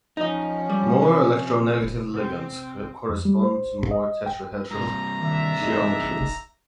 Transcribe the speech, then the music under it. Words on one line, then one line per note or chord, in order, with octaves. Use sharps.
More electronegative ligands correspond to more tetrahedral geometries.
F3 C#4 D#4 D#5
G3
C3
C4
F2
G3
C5
D#5
G5
G2 C3 A#5
D#3 D4 E5
D#4 G#4 D#5